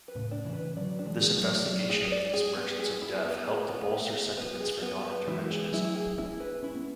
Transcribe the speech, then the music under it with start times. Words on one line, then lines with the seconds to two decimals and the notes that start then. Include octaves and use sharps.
This investigation of these "merchants of death" helped to bolster sentiments for non-interventionism.
0.08 B4
0.15 A2 C#3
0.31 D4
0.45 C#3 E3
0.53 B4
0.76 D3 F#3 D5
0.99 D4
1.06 E3 G#3
1.21 G#4
1.36 F#3 A3
1.44 D5
1.66 F#3 A3 D5
1.89 G#4
2.12 D5
2.33 G#4
2.56 B3
2.79 G#4
3.02 E4
3.25 B3
3.48 G#4
3.69 B3
3.92 E4
4.14 G#4
4.37 B3
4.60 G#4
4.82 B3
5.05 B3
5.28 E3 G#3 E4
5.50 G#4
5.72 F#3 A3 E4
5.96 G#4
6.18 B3 D4 E4
6.40 B4
6.63 C#4 E4
6.76 B3